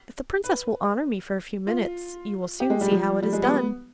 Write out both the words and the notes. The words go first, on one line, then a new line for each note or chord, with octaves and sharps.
If the princess will honour me for a few minutes, you will soon see how it is done.'
B4
F4
G4
G#3
G3
F3
G3
G#3
B3